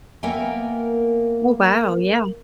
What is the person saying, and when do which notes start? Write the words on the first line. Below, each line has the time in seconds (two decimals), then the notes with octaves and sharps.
Oh, wow. Yeah.
0.23 A#3 B3 A#4 E5 G5 G#5